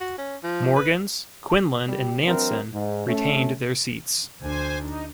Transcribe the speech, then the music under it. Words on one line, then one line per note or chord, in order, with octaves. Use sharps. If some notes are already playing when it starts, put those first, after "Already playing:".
Morgans, Quinlan and Nanson retained their seats.
F#4
C#4
F3
B4
G3
E3 F#3 C4 D4 E4 A#4
G#2
A3 C#4
D2 D4 C5 G#5
D#4